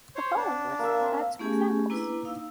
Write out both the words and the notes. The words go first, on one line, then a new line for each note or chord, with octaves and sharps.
The following list provides some examples.
C5 C#5
D4 F#5
A#3 E5
C4
A3 B3 C#4 G4 G#4 G#5
A#3 D4 E4 B4
D#4 F5 E6